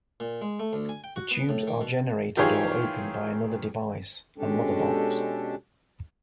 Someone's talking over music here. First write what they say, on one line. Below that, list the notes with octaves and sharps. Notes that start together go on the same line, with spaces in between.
The tubes are generated or opened by another device, a Mother Box.
A#2
G#3
A3
D2
G#5
G5
F#4
B3
A2
D#3
B2
D#3 E3 F4 G4 G#4 C#5
B2 G#3 C#4 D4 G4 A4